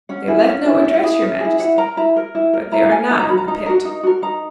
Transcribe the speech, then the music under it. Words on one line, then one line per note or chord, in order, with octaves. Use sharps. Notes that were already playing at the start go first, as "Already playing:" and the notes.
"They left no address, Your Majesty; but they are not in the pit."
C#4 F#5
E4 G#4
C#4
E4 G#4
C#4 E5
F#5
E4 G#4 E5
C#4
E4 G#4
E4 F#5
A#4 A#5
E4 A#5
A#4
E4
A#4
E4 A#5
A#4 G#5
D#4 A#5
A#5
F#4 A#4 B5
A#5
D#4 A#5
F#4 A#4
D#4
F#4 A#4
D#4 A#5